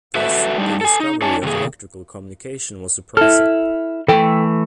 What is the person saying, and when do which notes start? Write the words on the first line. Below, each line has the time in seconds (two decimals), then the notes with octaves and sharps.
Thus, the discovery of electrical communication was surprising.
0.15 F#4 A4 B4 E5
0.58 G3 D4 D#4
0.81 A4 G#5
1.00 D#4
1.22 C#4 D#4 C#5 G#5 A5
1.43 C3 D#3 A3 A#3 G#4
3.17 E4 A4 F6
4.08 E3 A3 A4 G5